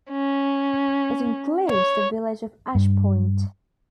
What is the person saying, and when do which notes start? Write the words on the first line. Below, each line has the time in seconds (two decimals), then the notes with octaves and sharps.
It includes the village of Ash Point.
0.12 C#4
1.69 C#5
2.75 G2